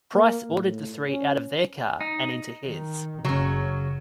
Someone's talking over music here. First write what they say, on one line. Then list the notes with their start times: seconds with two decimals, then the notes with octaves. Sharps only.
Price ordered the three out of their car and into his.
0.14 A#3
0.50 A2
1.07 C#4
2.01 D#4
2.68 D#3
3.25 F#1 C#3 F#3 C#4